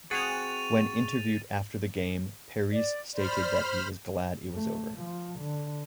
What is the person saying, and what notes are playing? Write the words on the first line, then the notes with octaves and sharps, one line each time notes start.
When interviewed after the game, Parise stated that he was glad it was over.
C4 F#4 G#4 F#5 C#6 A6 D#7 F7
D5
C5 D5 B5 F6
A3
F3
D3